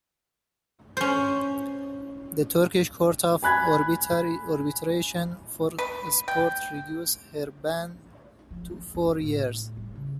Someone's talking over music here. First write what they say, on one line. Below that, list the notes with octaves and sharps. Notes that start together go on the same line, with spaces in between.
The Turkish Court of Arbitration for Sport reduced her ban to four years.
C#4 C5
G#5 B5 F#6 G#6
B4
G5
F3
F#2
A2
G3
C#3